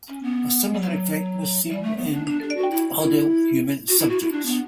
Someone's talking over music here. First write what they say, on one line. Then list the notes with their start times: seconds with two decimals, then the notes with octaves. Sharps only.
A similar effect was seen in adult human subjects.
0.08 C#4
0.23 B3
0.73 G3
0.81 F#3
1.69 G3
1.83 A3
1.98 B3
2.13 D4
2.27 D4
2.42 D4
2.56 F#4
2.71 E4
3.00 E4
3.88 F#4
3.99 E4
4.10 F#4
4.21 E4
4.32 D4
4.46 B3